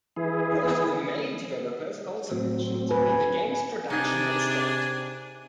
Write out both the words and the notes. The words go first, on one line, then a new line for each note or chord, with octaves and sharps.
One of the main developers also mentioned that the game's production had stopped.
E3 E4 G#4
A2 F#3 C4
B4 G#5
C3 D4 D#4 G#4 G#5